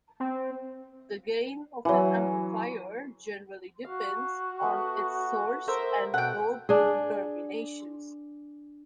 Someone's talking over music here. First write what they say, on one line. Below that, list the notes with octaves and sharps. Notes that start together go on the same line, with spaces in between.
The gain of an amplifier generally depends on its source and load terminations.
C4
E3 F#3
F#4 F5
A3 B3 B4
A#4 C5 E5
B2 A4 F#5 G5
D4 G#4